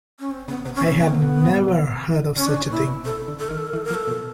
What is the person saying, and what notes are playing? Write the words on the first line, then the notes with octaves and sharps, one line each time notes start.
I had never heard of such a thing.
C#4
C4
C#3 B3
C3 B3
C#4
B2 C4
C#3
C3 B3
A#3
B2 B3
A#2
C3
C#3 C#4
D4
C#3
C#4
A#2 E4
B2
C3 A4
D3
A4
D#3 A#4
A4
A#4
E3
A4
A#4
F3
A4
B2